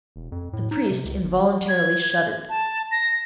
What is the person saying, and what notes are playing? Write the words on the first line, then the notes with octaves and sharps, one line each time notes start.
The priest involuntarily shuddered.
E1
F2
A2
D#4
C3
C#2
G1
G#6
A5
A#6